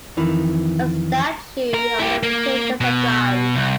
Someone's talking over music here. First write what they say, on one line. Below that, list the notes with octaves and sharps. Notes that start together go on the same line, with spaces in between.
A statute of limitations applies.
F2 D#3 E3
A#4
E4 G4
A#3
B2
C2